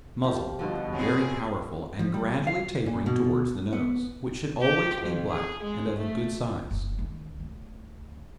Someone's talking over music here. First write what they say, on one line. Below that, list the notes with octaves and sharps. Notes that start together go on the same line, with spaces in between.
MUZZLE--Very powerful, and gradually tapering towards the nose, which should always be black and of a good size.
F3 G4
G2 B2 D3 F3 D5
C4 C#4 G#4
F3
G3
F5
A#2
B2
B3
G4
F2
G#4
G#3
A3
F#1
C#2 D#3
D2